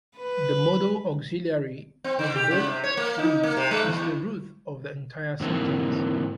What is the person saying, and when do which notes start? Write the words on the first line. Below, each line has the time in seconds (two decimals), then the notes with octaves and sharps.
The modal auxiliary in both trees is the root of the entire sentence.
0.18 B4
2.04 C4
2.19 D3
2.35 G4
2.51 C#3
2.67 C3
2.84 C#5
2.97 A#3
3.19 D#4
3.43 A#3
3.57 C3
3.71 G#3
3.85 E2
5.40 G#2 D3 E3 A#3 C4